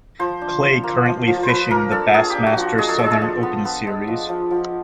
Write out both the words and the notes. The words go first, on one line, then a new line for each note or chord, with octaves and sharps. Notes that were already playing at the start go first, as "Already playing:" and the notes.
Clay currently fishing the Bassmaster Southern Open series.
F3 C5
D4
F3
A#3
F3
F3
C5
F3 B4
A#3 A#4
D4 A4
A#3 G#4
G4
D4
F#4
F3
F#4
G#3 G#4
A4
G#3 G#4
A4
F3
B3
B3
G#3
F3
F3
F3